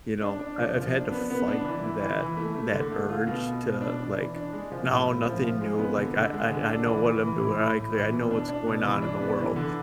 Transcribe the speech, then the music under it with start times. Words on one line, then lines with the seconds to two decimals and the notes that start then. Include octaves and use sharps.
you know, I I've had to fight that that urge to, like, "No. Nothing new, like, I I I know what I'm doing. I could I know what's going on in the world."
0.21 D4
0.39 D4
0.58 F3
0.76 F3
0.94 D4
1.11 B3
1.30 B3
1.47 D4
1.65 E3
1.83 E4
2.01 E3
2.19 E3
2.37 A3
2.55 A3
2.74 D3
2.92 A3
3.09 F4
3.27 B2
3.46 B2
3.63 B2
3.81 D4
3.99 D4
4.18 E3
4.35 D4
4.53 G#3
4.72 F3
4.90 A2
5.07 A2
5.25 F3
5.43 F3
5.61 G#3
5.78 B3
5.97 D3
6.15 D3
6.33 G#3
6.50 D3
6.69 D4
6.86 E3
7.04 E3
7.23 E3
7.41 A2
7.58 A2
7.77 A2
7.94 E3
8.12 B2
8.31 D4
8.48 D4
8.67 B2
8.84 E3
9.02 D4
9.20 B3
9.38 E3
9.56 D3